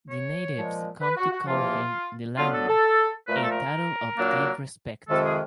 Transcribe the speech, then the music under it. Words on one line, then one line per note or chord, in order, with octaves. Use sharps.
The natives come to call him the "Langri", a title of deep respect.
C#5
A#2 F3 G#3
B4
F#4
F#4
E2 C3 F3 A#3 F4
D3 F#3 B3 D4 F4
A4
A4
A#2 F3 A3 B4
A#4
A4
A#4
A#2 F#3 A#3 D4
F2 C3 D#3 G#3 A4
G#4